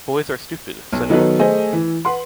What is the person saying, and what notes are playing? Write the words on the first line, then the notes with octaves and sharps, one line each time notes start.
Boys are stupid, said Antje.
B1
D#3 F#3 B3 D#4 A4 B4
A3 G#4 C5 D#5 G#5
E3
B4 F#5 C6